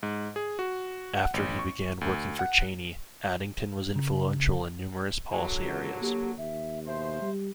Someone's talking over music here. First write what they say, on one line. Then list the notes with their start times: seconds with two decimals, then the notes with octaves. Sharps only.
After he began working for Cheney, Addington was influential in numerous policy areas.
0.03 G#2
0.36 G#4
0.59 F#4
1.17 F#5
1.34 A1
1.59 C#6
2.01 D2
2.39 F#5
3.96 C#3
5.30 D3 F#3
5.60 C#2
6.01 A#3 G4
6.38 D#2 E5
6.87 B2 C5 E5
7.22 G3